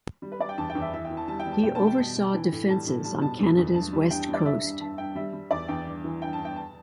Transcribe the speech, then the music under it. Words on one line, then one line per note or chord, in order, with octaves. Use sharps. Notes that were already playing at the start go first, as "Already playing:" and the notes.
He oversaw defences on Canada's West Coast.
G3
B4
G3 D5
G5
E2 A5
G5
E2
E5
E3 E5
G5
E3
A5
G3 A5
G5
G3
A5
B2 G5
A5
G3
G5
B2
B2
E3
A2
G3 A5
A2
G3 A5
B2 A5
E2
E2
G2 A5
G3
G2 G5
G3
D5
G2 E5
G2
G2 A5
G2 G5
G3 E5
G3
E2 D5
E2 G5
G2
E3
G2 G5
A5
G2
G5
A5